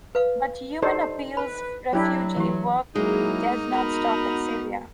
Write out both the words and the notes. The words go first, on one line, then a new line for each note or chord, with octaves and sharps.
But Human Appeal's refugee work does not stop in Syria.
B4 F5
D4 D#4 G4 A4 C5 D5
B4 B5
F#3 D4 E4 G4 C#5
E3 G4 C#5
F#3 G#3 A#3 D#4 E4 G#4
B3 F#4 A#4 B5